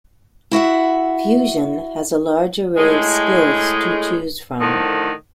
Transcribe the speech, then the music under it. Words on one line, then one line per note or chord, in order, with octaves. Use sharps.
"Fuzion" has a large array of Skills to choose from.
E4 F#4 E5 F#5
A2 G#3
A2 D3 D#3 F3